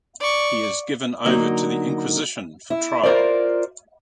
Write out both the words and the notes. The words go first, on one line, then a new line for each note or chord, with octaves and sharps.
He is given over to the Inquisition for trial.
D5 C#6
D3 F#3 A#3 D#4
E4
F4 A#4 C5 D5